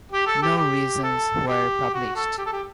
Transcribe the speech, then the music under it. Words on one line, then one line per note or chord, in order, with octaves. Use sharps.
No reasons were published.
G4
A4
G4
G4
A4
G4
F#4
A4
G4
A4
G4